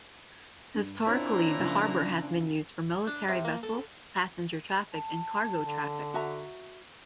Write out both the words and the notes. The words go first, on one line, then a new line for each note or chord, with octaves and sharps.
Historically, the harbour has been used for military vessels, passenger traffic and cargo traffic.
G2
A#2 C4 D4 E4 C5 C#5 A#5
C#3 F3
D4
C3
A#3
A4
A5
D3
F#4 E5 A#5